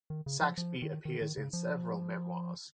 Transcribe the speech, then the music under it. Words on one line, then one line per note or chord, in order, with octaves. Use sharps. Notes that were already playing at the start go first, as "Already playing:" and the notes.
Saxby appears in several memoirs.
D#3
C#3
F3
F3
D#3
D#3
D#3
C#3
F3